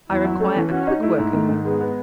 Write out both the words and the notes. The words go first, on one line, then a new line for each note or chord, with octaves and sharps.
I require a quick worker.
E2 E4
F#3
A3 C#4
E3
C#4 F#4
D#4
A3 E4
G#2
D#3 A3
G#2
G#3 B3
B3